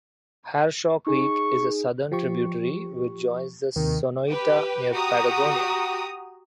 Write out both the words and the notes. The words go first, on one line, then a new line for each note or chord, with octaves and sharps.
Harshaw Creek is a southern tributary which joins the Sonoita near Patagonia.
D#4 G#4 C#6
F3 G4 C#6
D#2 C3 D#3
G4 B4
F#4 G4 A#5 D#6